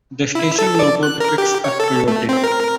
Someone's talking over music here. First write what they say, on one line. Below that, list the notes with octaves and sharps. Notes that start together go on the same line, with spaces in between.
The station logo depicts a coyote.
E4
A4
D5
F#6
A#4
G4
C#5
A4
A3
C4
A#4